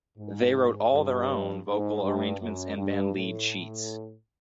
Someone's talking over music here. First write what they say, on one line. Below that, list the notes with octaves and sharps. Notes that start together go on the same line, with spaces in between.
They wrote all their own vocal arrangements and band lead sheets.
G#2
G2
G#2
G2
F#2
G2
A2